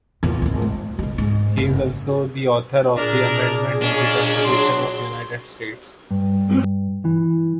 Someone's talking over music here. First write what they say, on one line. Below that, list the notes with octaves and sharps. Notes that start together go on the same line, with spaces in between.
He is also the author of the amendment in the Constitution of the United States.
E2 A#2
G#1 D#2
G#3
B1 G#3
G#2
F#1
A#2 D4 G#4 A#4
G#3 A#3 C#4 D4
F#3 C6
G2
E3